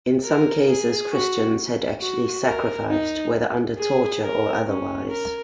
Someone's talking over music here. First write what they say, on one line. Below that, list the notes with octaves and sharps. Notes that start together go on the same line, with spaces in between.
In some cases Christians had actually sacrificed, whether under torture or otherwise.
A#4
G#4
F#4
F#4
A#4
D#4
G#4
A#4
C#4
A#4